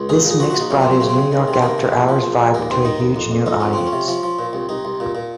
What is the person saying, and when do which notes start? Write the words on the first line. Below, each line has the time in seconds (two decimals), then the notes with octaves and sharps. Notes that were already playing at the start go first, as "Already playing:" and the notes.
This mix brought his New York afterhours vibe to a huge new audience.
Already playing: C#2
0.09 A#1 G#4
0.25 A#2 G#4
0.40 F3 F#4
0.50 F#4
0.55 A#1
0.60 D#4
0.70 F#2 C#4
0.81 C4
0.86 F#2
0.91 C4
1.00 C#3 C#4
1.09 C4
1.16 C#3
1.32 D#3
1.48 C3
1.53 C4
1.62 D#3 A#3
1.78 C3
1.93 A#1
2.08 F3
2.24 A#1
2.39 A#1
2.54 D#2 A#3
2.70 D#2 C4
2.85 D#3 D#4
3.00 D#2
3.16 F2
3.31 F2
3.46 F2 D#4
3.60 F2 C#4
3.73 F3 C4
3.87 C#4
3.92 C3
4.08 F3
4.23 F3
4.39 A#2
4.53 C2
4.69 C2 D#4
4.85 C2
5.00 A#2
5.15 A#2